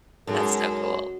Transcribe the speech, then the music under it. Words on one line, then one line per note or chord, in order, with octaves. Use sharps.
That's so cool.
F#2 G#3 D#4 A4 A#4